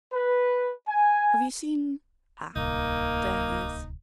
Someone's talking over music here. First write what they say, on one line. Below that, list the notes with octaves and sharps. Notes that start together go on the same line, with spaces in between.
Have you seen--ah! there he is.
B4
G#5
D1 C2 A#3 D#4